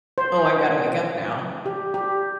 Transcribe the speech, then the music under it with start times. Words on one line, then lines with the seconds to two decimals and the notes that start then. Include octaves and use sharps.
Oh, I've gotta wake up now.
0.18 C5
1.66 G4
1.94 G4